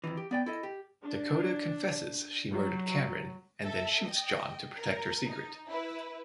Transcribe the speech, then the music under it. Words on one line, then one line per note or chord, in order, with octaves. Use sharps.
Dakota confesses she murdered Cameron and then shoots John to protect her secret.
F2 D#3 E3
G4
B3 D5 G5
E4 A4 D#5
G4
D4
F#3
A4 E5
D#5 G5
A#4 A#5
D#4
E4 B4